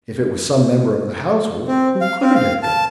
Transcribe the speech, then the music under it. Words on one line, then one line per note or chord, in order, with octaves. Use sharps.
If it was some member of the household, who could it have been?
C4
F5
C4
F5
A5